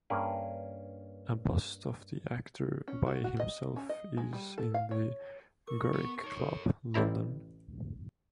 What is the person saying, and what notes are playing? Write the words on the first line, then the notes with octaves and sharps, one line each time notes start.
A bust of the actor by himself is in the Garrick Club, London.
G2 A#3 C#4 G#4 A#4 B4
C#4
F#4
F#4
D#5
C#4
D#5
G#3
G3
A4
F5
C#5
A#4 C#6 D6
B3
D#4 A#4 C#5 D6
A4
A1 G3 C4 E4 A#5